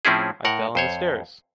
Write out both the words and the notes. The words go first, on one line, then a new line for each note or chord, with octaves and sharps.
I fell in the stairs.
A2 F3 C4 C#4 E4 G#4
A2 A#4 F#5
F2 C5 C#5